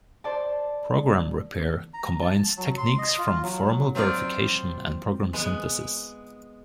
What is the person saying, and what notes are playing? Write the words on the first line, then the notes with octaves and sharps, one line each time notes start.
Program repair combines techniques from formal verification and program synthesis.
C5 D5 A5
A#5
A5
F#3
C6
D#5
F4
F#3
F#3 C4 F4 D5
G#3 B3